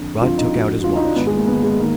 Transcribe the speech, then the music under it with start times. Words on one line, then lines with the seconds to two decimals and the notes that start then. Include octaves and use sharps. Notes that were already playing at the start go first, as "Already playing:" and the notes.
Rod took out his watch.
Already playing: F2 D3
0.21 F2 D3 F4
0.38 D#4
0.52 F2 D3 F#4
0.79 F#4
0.84 F2 D3 F4
0.95 D#4
1.05 D4
1.16 G#2 D#3 B3
1.27 G#3
1.37 A#3
1.47 G#2 D#3 B3
1.63 G#3
1.79 D#3 A#3